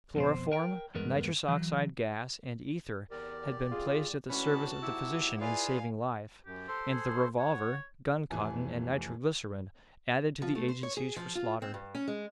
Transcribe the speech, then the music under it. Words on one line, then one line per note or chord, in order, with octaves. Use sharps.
Chloroform, nitrous oxide gas, and ether had been placed at the service of the physician in saving life, and the revolver, guncotton, and nitroglycerine added to the agencies for slaughter.
F2 B2 C5
A#4 G5
E2 G2 G#3 B3 A#4
E3 F#3
E2 G4 A#4 D5
F4 G#4
A2 E3 C#4 D4 F#4 A5 B5
G#2 E4 G4 F#5 E6
F4 G#4 B4 D5 F5 G#5
F#2 G4
A4 C5 C6
G#4
C#5 F#5
F1 E3 G#5
F3
A3
C5
C#5
G#4
F3
F4
C4
G2
C#4
G#3